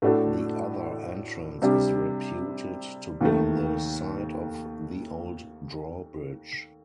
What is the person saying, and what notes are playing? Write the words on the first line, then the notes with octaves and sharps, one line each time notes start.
The other entrance is reputed to be the site of the old drawbridge.
A2 A3 D4 F#4 A4
C3 G3 D4 G4
D#2 D#3 A3